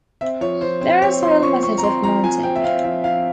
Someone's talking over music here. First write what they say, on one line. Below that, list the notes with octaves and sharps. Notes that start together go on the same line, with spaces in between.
There are several methods of mounting.
C4 E5
F3 C#5
F3 C5
C4 C5
C4 C#5
F3 C6
F3 C#6
C4 C#6
A#5
C4 C6
F3 A#5
F3 G#5
C4 G5
E5
C4 F5
F3 E5
F3 F5